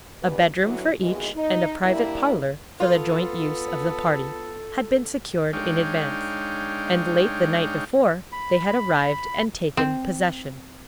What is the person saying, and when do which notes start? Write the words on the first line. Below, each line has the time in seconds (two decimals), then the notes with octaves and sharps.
A bedroom for each, and a private parlor for the joint use of the party, had been secured in advance, and late the night before they had arrived and taken possession.
0.22 E2 G2 B2 E3 B4
0.61 D3 E3 F#3
1.00 D#2 B2 E3 G#3
1.35 D#4
1.83 G3 A#3 D4 E4
2.80 B3 F4 A4
5.53 G#3 D4 D#4 C#5 F5 G5
8.32 B5
9.77 C4